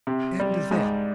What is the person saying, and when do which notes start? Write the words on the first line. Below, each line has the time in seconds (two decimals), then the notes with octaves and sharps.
"And then?"
0.07 C3
0.40 G3
0.71 G#2